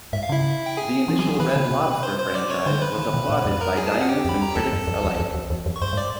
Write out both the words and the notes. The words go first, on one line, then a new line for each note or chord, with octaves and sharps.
The initial Red Lobster franchise was applauded by diners and critics alike.
G#2 E5
F5
C#3 E4 E5
G5
G#4 G#5
E3
F#3
E3
D#3 B4 B5
C#3
C3
C5 C6
C5 C6
D5 D6
C#5 C#6
D3 C5 C6
B4 B5
D#3
B2
A2
F2
A#4 A#5
G#4 G#5
A5
G#4 G#5
F#5
G4 G5
F2 B5
A#5
E2 A4 A5
F#2
F2
E2
F2
E2
E2
F2
C#6
F#2 C5 C6
G#2
D5 D6